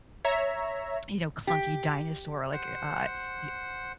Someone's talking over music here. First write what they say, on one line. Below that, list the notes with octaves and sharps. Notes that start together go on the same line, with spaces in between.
you know, clunky dinosaur, like, uh, uh, y
C#5 E5 A#5
G4
C5 F#5